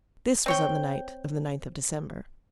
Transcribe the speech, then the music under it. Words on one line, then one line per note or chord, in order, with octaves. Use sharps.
This was on the night of the ninth of December.
C4 C#5 G5